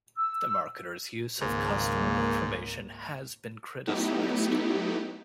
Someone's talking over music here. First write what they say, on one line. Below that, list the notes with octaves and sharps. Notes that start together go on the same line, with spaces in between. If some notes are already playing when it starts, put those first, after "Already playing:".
The marketers' use of customer information has been criticized.
E6
G#1 C#2 G#2 A#3
F#3 A3 B3 D#4 E4 G4